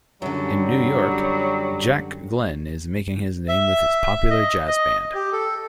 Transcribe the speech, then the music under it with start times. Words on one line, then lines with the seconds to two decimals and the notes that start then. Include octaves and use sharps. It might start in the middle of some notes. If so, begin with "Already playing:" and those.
In New York, Jack Glenn is making his name with his popular jazz band.
0.22 F#2 D3 F#3 G3
3.49 E5
4.30 D#5
4.67 D#5
5.15 G4
5.33 A4